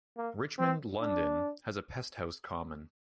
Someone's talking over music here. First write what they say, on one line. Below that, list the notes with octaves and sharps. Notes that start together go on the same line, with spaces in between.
Richmond, London has a Pesthouse common.
A#3
C4
D4